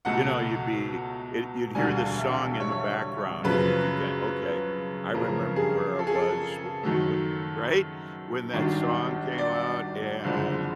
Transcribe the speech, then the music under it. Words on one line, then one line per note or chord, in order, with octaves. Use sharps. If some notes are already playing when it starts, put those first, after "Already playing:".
you know, you'd be eh, you'd hear this song in the background, and you could ki "Okay, I remember where I was w wh" Right? When that song came out, and
C#2 B2 F#3 A3 F#5
E1 D2 D3 G3 G#5
F5
E5
C#5
F#2 C#3 F3 B4
F#1 F2 C#3 F3 A#4
G#4
A4
G#4
A4
F#2 D#3 F#3 A3
G#1 G2 D#3 F#3
D5
F#1 F2 D3 F3 G#3